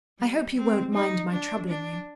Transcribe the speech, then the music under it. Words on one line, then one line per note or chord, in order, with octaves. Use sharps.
I hope you won't mind my troubling you.
G3
C4
D#4
D4
D4